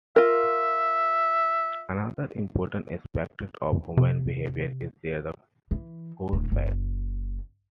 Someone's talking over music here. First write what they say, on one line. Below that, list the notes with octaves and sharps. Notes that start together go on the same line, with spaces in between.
Another important aspect of human behavior is their "core faith".
F4 A#4 E5
C3
E3
D1
F#1